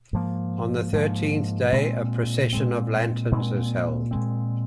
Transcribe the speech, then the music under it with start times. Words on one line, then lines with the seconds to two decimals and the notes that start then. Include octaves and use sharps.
On the thirteenth day, a procession of lanterns is held.
0.13 G#2 F3 A#3
0.93 G#2 F3 A#3
1.72 A#2 G#3 C4
2.53 A#2 G#3 C4
3.32 A#2 G#3 C4
4.11 A#2 G#3 C4